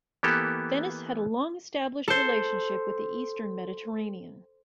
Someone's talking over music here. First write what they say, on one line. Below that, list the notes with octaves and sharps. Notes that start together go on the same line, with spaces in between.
Venice had a long-established relationship with the Eastern Mediterranean.
E3 A#3 B3 G4 A4
A4 C5